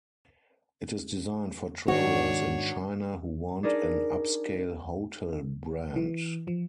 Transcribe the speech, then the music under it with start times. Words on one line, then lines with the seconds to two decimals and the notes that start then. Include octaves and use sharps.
It is designed for travellers in China who want an upscale hotel brand.
1.88 G#2 D#3 D4 F#4 C#5
3.63 D4 D#4 G#4 A#4 D5
5.96 E3
6.47 F3